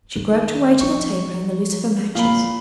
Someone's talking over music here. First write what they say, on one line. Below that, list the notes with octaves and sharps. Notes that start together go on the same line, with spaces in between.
She groped her way to the taper and the lucifer matches.
D#3
F3 C#6
A#2 F5 B5